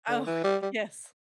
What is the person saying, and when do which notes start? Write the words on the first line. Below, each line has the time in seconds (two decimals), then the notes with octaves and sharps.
Oh, yes.
0.09 D3
0.27 E3
0.44 G3
0.62 G3